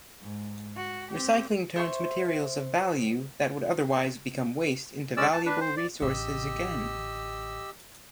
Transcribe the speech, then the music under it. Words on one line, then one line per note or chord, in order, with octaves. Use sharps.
Recycling turns materials of value that would otherwise become waste into valuable resources again.
G#2
F#4
C4 G4
C5 E5 C6 C#6
G#3 C#4 D5 E6
A5
D4 B4
C5
D5
A1 D3 G4 D#5 E6